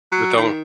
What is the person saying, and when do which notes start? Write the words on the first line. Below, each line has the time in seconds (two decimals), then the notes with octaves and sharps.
but don
0.12 F#3
0.37 D#3